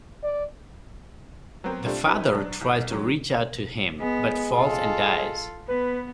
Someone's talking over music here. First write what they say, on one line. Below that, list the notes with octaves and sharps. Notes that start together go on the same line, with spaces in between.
The father tries to reach out to him, but falls and dies.
D5
F#3 B3 C4 A#4
G3 A3 C4 D4 F4 A4
C#4 D#4 G4 B4
F#3 D4
C2
D#3 F#3 C#4
G#3 B3
F4 A4
B3 B4